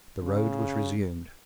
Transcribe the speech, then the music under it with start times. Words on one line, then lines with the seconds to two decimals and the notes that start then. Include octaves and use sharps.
The road was resumed.
0.23 C#3